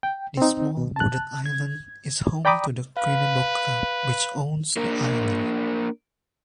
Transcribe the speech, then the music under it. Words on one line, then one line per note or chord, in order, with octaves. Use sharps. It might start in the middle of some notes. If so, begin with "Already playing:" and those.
This small wooded Island is home to the Quinnebog Club, which owns the island.
G5
C4 D#4
B2
A5 F#6
G#6
D5 G5 A#5 B5 D6 D#6
B4 F5
A#3 D4 A#4